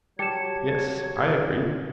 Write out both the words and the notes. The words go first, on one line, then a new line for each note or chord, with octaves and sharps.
Yes, I agree.
F#3 G3 G4 A5 G#6 C#7 E7